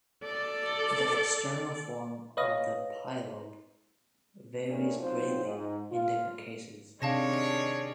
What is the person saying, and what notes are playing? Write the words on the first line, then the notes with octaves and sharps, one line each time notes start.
The external form of the polyp varies greatly in different cases.
A4 D5
B4 C#5 D#5 F5 D#6 A#6
E2 A2 A#3 C#4 D4
F#3 C4 D#4 F4 C5
G#2
F4
C3 D#3 G#3 D4 C#5 F5 A5 A#6